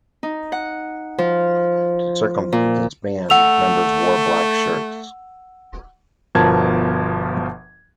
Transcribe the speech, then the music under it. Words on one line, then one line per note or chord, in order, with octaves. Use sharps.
To circumvent this ban, members wore black shirts.
D#4
F#5
F3
A#2
A3 F#5 E6 F7
G1 B2 F3 A#4 A5 G#6